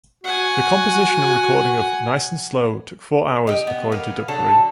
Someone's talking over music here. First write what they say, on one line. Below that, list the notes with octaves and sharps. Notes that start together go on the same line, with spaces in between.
The composition and recording of "Nice and Slow" took four hours, according to Dupri.
F#4 F#5 G#5
D#4 G4
B3
A#3 B3 G#4 F5
D3 F#3 A4